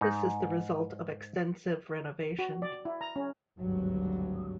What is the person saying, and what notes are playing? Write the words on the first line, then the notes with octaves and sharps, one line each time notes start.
This is the result of extensive renovation.
G#2 D#4
F#4
D5
E4
A#5
C#4
G#1 D2 G2 F#3